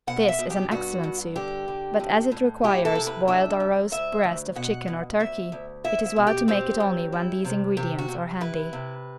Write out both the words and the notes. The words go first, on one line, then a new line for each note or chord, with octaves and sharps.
This is an excellent soup, but as it requires boiled or roast breast of chicken or turkey it is well to make it only when these ingredients are handy.
B2 F#5
E5
B2
G4
G2 F#4
G2
D3 G4
D3
A2
A2
E4 G4
A4
C3
B4
D4 E5
F#2
D2 E5
D2
B2 F#5
B2
D2 E5
D2
E4 E5
E5
B2
G4
C4 G4
F#2
E4
C3
C3 G4
F#4
C3
E4 B4
C3